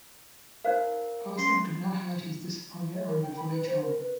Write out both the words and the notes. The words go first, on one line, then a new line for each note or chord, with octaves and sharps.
Poston could not hide his disappointment on the voyage home.
D#4 A#4 C5 F5
C#4 C6
C#5
A#4
G5
B5
B4
C5
A#4
B4